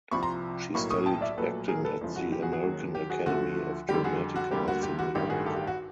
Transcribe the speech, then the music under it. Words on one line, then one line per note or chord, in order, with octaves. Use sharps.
She studied acting at the American Academy of Dramatic Arts in New York.
C2 C3 F3 B5 C#6
A#5 C6
B1 A2 F#3 A#3 B5 C#6
C#6 D#6
G5 A5
D5 E5
A#1 A#2 F#3 A3 A4 B4
G#4 A#4
A4 B4
F1 E2 C#3 F3 G#3
F#4
G4
F#4 G#4
F#4 G#4
D#2 D#3 F#3
G4
F#4 G#4
D2 D3 F3 A3 F#4
F2 D3 G3 G4
F#4 G#4
F#4
D2 D3 G3 A#3 G4
F#4
G4
F#4
A1 G2 D#3 G4
F#4 G#4
G4 A4
G4
F#4